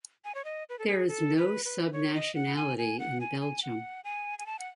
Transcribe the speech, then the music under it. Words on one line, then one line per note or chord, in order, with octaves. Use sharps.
There is no subnationality in Belgium.
G#5
C#5
D#5
B4
A4
G#4
A4
B4
B4
C#5
D#5
F#5
G#5
G#5
F#5
G#5
G#5
F#5
G#5
G#5
A5
F#5